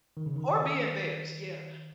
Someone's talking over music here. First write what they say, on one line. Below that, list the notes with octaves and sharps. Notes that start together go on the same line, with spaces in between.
or be in theirs, yeah,
D#3
C#3
D#3